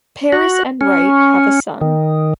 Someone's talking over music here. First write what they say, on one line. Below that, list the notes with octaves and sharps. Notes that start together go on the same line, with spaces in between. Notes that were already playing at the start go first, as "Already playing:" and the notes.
Paris and Wright have a son.
F#4
C#4
D#3